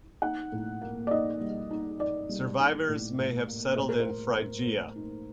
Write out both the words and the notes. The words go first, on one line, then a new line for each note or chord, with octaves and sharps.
Survivors may have settled in Phrygia.
D#4 F#5
A2
A#3
D5
D#4 D#5
G3
D#4
D#4 D5
G3
D#4
A2
A2
A#3
A2 C5
A#4
C5
A2
A2
A2
D#4